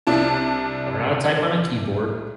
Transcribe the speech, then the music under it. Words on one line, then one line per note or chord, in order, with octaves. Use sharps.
learn how to type on a keyboard,
C2 C3 D4 E4 A5